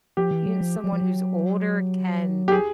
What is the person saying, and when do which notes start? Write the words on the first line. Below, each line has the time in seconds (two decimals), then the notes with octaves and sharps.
you someone who's older can,
0.17 F3 G4
0.31 E3
0.46 F#3
0.61 F3
0.84 F#3
0.93 F3
1.01 F#3
2.48 G4
2.52 G#4